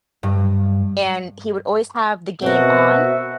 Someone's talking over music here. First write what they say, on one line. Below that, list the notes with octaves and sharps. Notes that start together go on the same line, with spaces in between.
and he would always have the game on,
G2
B2 C4 F#4 A#4 E5